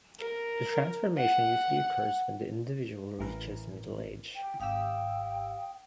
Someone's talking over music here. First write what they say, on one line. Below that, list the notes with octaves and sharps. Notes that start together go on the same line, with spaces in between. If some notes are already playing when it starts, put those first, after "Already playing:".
The transformation usually occurs when the individual reaches middle age.
A#4
F#5
A1 E3 A#4
G5
G#1 G4 F5 G5 D#6 E6